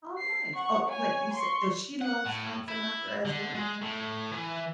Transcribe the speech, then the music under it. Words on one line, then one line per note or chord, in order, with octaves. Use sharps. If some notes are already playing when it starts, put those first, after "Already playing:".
Oh, nice oh, wait, you said so, she loves Frank Sinatra, as well?
C7
F#5 C#6
C#5 G#5
C6 C#6
F#5
A2
E4
D3
G#3
A2
E3